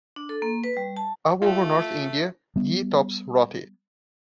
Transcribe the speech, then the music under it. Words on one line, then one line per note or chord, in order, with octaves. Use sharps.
All over north India, ghee tops "roti".
D4
A4
A#3
B4
G3
A5
A3 F4
G3 B3